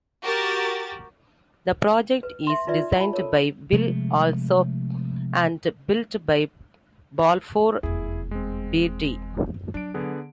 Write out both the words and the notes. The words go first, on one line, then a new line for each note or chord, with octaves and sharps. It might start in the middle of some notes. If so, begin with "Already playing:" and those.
The project is designed by Will Alsop and built by Balfour Beatty.
F#4 G4 A#4 A6
B4
E5 C6
D#4 F4 B4 D5 E5
A5 B5
A4 A#4 C#5
C3 F3 G#3 A3
F1 E2 E4 G#4
G#3 C4
F#2
F#3 D4 D7
D3 B3 G#4